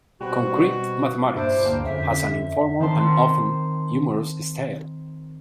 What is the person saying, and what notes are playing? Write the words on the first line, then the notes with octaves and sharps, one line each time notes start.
"Concrete Mathematics" has an informal and often humorous style.
B2 G3 C4 F#4 B4
G2 A#2 D4 E4 C5
D2 A#3 G#4 G5
F2 D3 C#4 E5
D#3 C4 A5 C6